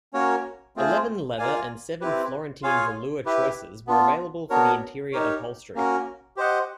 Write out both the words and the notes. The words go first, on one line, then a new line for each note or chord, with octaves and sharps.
Eleven leather and seven Florentine velour choices were available for the interior upholstery.
A#3 C#4 F#4 A#4 C#5
A3 C4 F4 G#4 C5
F4 A#4 D5 F5 G#5
C4 E4 G4 B4
F4 G#4 C#5 F5 G#5
E4 G4 B4
B3 D4 F4
B3 D4 F#4 A#4 C#5
D#4 G4 A#4 C#5
A#3 C#4 F#4 A#4
G4 C5 D#5 F#5